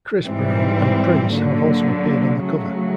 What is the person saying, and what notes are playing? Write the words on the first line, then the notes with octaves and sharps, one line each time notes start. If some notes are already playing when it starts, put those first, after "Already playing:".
Chris Brown and Prince have also appeared on the cover.
G#2 E3 G3 C4
D3 F#3 A#3
C#3 F#3 A3